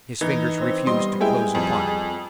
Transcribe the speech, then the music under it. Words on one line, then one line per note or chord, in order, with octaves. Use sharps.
His fingers refused to close upon it.
E3 D#4
C4
G3 B3 D#5 C6
G#3 E4 G#4 G5
F2